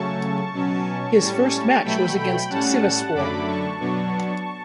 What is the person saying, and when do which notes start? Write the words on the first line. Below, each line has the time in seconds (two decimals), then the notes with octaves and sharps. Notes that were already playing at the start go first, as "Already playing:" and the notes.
His first match was against Sivasspor.
Already playing: C#3 F#3 A3 C#4 A5 C#6
0.53 B2 F#3 C#4
1.19 A2 G3 C#4
1.84 B2 F#3 A3 G5 B5
2.17 G5 B5
2.50 A2 G3 C#4 F#5 A5
3.14 F#2 D3 F#3 A3 D4 B5 D6
3.47 A5 C#6
3.80 B2 F#3 B3 D4